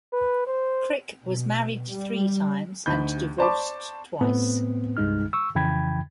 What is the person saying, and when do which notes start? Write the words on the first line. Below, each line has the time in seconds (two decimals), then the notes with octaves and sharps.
Crick was married three times and divorced twice.
0.13 B4
0.47 C5
1.24 B2
1.91 G3
2.86 D2 D#4 B5 G6
3.38 C5 D5 A5 B5 C#6 D6
4.21 A2 B3 C4
4.97 C2 G2 G#3 D#4 F6
5.33 C#6 E6
5.55 F2 C#3 E3 G5 B5 G#6